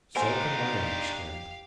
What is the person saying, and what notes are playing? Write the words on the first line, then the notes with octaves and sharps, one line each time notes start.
'So can I understand.
A3 D4 D#4 G4 A#4 C5 F5 G#5